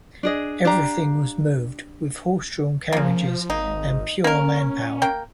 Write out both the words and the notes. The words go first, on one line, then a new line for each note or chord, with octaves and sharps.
Everything was moved with horse-drawn carriages and pure manpower.
D4 G#4 D#5
D4 G4 F5 A#5
C#3 F3 A#3
G#1 A#3 D#4
A#3 C#4 A#4
A#3 A#4 G5